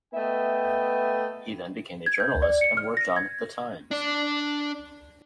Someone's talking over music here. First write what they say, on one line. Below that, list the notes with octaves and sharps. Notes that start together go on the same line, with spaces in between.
He then became a journalist, and worked on "The Times".
A3 B3 D#5 E5 G5
G#6
G6
D5
C#7
F6
A#6
G#6
D4 D5